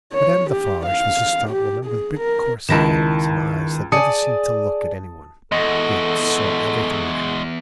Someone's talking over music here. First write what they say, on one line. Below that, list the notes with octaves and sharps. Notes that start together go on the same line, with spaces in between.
Madame Defarge was a stout woman with big coarse hands and eyes that never seemed to look at any one, yet saw everything that happened.
C#5
G4
F5
G4
G#4
A#4
C#2 D#3 E4 A5 A#6 E7
G#4 D5 G#5 A5 D#6 C#7
E2 G#3 F#4 A4 D#5